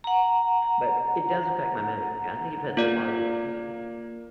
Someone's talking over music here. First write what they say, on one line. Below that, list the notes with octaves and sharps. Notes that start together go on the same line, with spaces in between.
But it does affect my mood. Yeah, I think it affects a lot of people's mood.
F#5 A#5
A#3 F4 D5